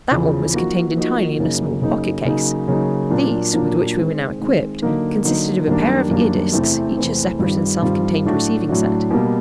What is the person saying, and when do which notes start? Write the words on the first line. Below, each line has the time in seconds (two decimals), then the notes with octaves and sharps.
That one was contained entirely in a small pocket case. These, with which we were now equipped, consisted of a pair of ear discs, each a separate and self-contained receiving set.
0.11 E2 C#3 F3
0.53 F3 A#3 D#4 F#4
0.96 F3 A#3 D#4 F#4
1.38 F#2 C#3 F#3 A#3 D#4
1.81 F#2 C#3 F#3 A#3 D#4
2.25 C#3 F#3 A#3 D#4
2.68 C#3 F#3 A#3 D#4
3.10 A#2 F#3 A#3 D4
3.53 A#2 F#3 A#3 D4
3.97 D#3 G#3 C4
4.39 D#3 G#3 C4
4.82 D3 F#3 A#3 D#4
5.25 D3 F#3 A#3 D#4
5.67 F#2 D#3 G3 A#3 D4
6.11 F#2 D#3 G3 A#3 D4
6.53 E2 C3 E3 A3 C4
6.97 E2 C3 E3 A3 C4
7.39 G2 D#3 G3 C4 F4
7.82 G2 D#3 G3 C4 F4
8.25 A2 F#3 A3 D4 F#4
8.68 A2 F#3 A3 D4 F#4
9.11 B2 G3 A#3